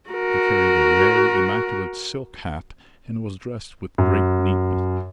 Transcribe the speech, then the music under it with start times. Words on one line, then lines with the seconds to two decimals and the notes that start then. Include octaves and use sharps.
He carried a very immaculate silk hat and was dressed with great neatness.
0.11 F#4 A#4
3.98 F#2